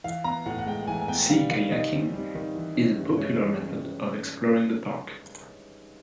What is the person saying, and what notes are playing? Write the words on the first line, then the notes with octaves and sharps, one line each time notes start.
Sea kayaking is a popular method of exploring the park.
E3 F5
B3 A#5
A2 F#5
F#5
G#3 G5
E3 G#5
G#5
B3 G5
G3 F5
D#3 F5
D#3 D#5
C4
G3
D#3
E3
C#4
G2
G#3 C#5
E3
C#4